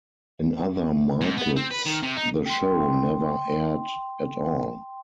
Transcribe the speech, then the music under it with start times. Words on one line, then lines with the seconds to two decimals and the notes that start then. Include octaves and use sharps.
In other markets the show never aired at all.
1.21 G#2
1.37 B3
1.56 C4
1.71 B4
1.86 D#3
2.03 C3
2.16 D#4
2.46 G5 C6